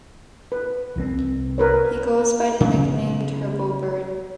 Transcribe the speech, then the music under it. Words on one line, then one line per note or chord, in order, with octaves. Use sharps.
He goes by the nickname Turbobird.
B4
C2 E3 C4
A#4 B4 C#5
C#3 F#3 B3